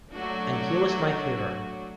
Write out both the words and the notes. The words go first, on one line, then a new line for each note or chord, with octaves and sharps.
And he was my hero.
F#3 A3 D4 F#4